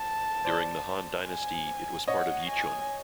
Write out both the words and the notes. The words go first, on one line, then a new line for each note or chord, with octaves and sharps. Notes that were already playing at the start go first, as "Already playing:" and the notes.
During the Han dynasty, it was part of Yichun.
Already playing: A5
C5 D5
G#5
C#5 D#5 F#5
G#5